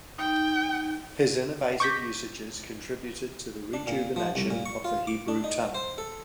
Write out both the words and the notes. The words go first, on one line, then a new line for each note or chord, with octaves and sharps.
His innovative usages contributed to the rejuvenation of the Hebrew tongue.
D#4 G5
C#6 D6 G6 A#6 B6
D4
A#2
F3
C2
A#2
C#6
F4
D6
D4
D#4
C5
A4